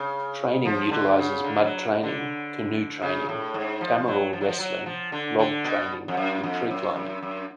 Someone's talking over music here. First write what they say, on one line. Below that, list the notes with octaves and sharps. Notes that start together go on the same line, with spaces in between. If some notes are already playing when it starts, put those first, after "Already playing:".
Training utilizes mud training, canoe training, tamaraw wrestling, log training and tree climbing.
Already playing: C#3
F3
D3
C#3
D3
F#3
D3
C#3
A2
G#2
F3
F#3
F3
F#3
F3
F#3
F3
D3
D3
B2
F2
F#2
F2
F#2
F#2
F#2